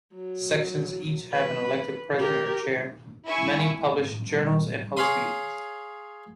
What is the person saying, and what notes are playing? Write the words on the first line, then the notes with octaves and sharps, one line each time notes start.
Sections each have an elected president or chair; many publish journals and host meetings.
F#3
B4
G4 A#4
E4 E5 G#5 C#6
G#4 C#5 F5 B5 C6 D#6